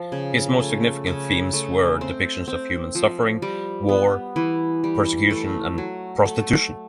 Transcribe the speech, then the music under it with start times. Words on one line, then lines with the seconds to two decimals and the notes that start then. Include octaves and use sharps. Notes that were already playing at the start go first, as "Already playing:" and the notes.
His most significant themes were depictions of human suffering, war, persecution and prostitution.
Already playing: F3
0.12 C#3
0.60 A3
1.07 C#3
1.53 A3
2.01 C4
2.48 C4
2.95 F3
3.42 G3
3.89 B3
4.36 E3
4.84 G3
5.31 A3
5.78 F#3
6.26 A3